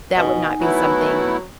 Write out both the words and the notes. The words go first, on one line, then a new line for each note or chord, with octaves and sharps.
that would not be something
B2 D#4 F#5 G#5
F#3 A3 B3 E4 B4